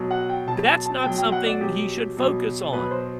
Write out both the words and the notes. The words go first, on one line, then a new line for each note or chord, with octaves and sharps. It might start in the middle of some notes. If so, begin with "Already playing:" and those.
That's not something he should focus on.
Already playing: B2 F#3
F#5
G5
B2 F#3 A5
A5
A5
B2 F#3 G5
G5
F#5
D5
B2 F#3 G4
B2 F#3
B2 F#3 B4
C5